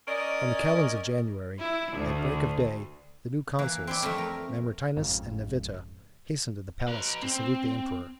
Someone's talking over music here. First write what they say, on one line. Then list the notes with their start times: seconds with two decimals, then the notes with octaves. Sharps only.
On the calends of January, at break of day, the new consuls, Mamertinus and Nevitta, hastened to the palace to salute the emperor.
0.07 C#4 A#4 D5 D#5
1.61 E4
1.94 D2
3.59 E3 A#3
3.87 C4 E4 D5
4.03 F2 A3
4.18 A#4
4.96 G#1 F2 G#2 C#3
6.87 B4 A#5
7.22 C4